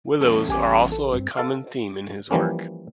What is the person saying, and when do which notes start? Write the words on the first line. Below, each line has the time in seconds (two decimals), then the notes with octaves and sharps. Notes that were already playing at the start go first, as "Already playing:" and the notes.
Willows are also a common theme in his work.
0.21 E2 C#4 A4
0.49 A1 G4 G#5 D6
0.92 A4
1.12 G2 C4
1.37 A4 F5
2.31 E3 F3 G3 A#3 C#4